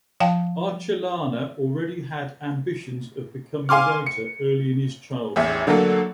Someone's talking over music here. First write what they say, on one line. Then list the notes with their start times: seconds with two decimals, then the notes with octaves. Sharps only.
Arcellana already had ambitions of becoming a writer early in his childhood.
0.20 F3 F5 G5 A5
3.69 F5 G#5 C6 D6 F6
4.06 C#7
5.36 A1 E2 E5
5.67 D3 F#3 A3 A#3 A4